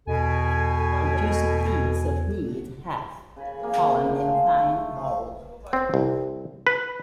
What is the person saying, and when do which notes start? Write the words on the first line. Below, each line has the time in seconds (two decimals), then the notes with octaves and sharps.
A juicy piece of meat hath fallen in thine bowl!
0.07 E2 B2 A4 G#5
3.36 C#3 G#5 B5
3.63 A#3 G#4
4.07 A2 D3 F4 G5
4.26 G#3 F5 C6
4.54 A3 E4
4.96 F3
5.73 C4
5.94 C2
6.67 B4